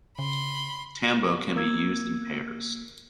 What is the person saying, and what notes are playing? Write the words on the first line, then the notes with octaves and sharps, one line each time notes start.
Tambo can be used in pairs.
C#3 B5 C6
A#3 E6 G#6